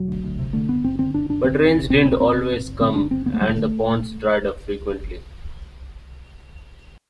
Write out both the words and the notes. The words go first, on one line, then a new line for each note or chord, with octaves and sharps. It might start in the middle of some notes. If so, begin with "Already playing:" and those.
But rains didn't always come, and the ponds dried up frequently.
Already playing: E1 F#3
D2
D2
C3
D3 A3
F#1 B3
F#1 C4
D3 C4
F#1 D4
F#1 D4
D3 C4
E1
E1
B2 C4
E1 C4
E1 C4
C3
F#1
F#1
D3 C4
F#1 D4
F#1 C4
D2 B3
A3
D2 G3
A3
D3